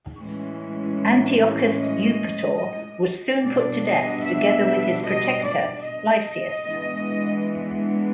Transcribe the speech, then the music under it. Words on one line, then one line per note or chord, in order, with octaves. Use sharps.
Antiochus Eupator was soon put to death together with his protector Lysias.
A2 E3 G#3 C#4
D#5
B2 G3 B3 D4 D5
D#5
E5
D#5
D5
D#5
E3 G#3 B3 D4